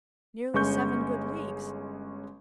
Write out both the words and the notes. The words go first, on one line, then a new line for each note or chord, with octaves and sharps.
"Nearly seven good leagues."
G1 G#3 C#4 C#6 G6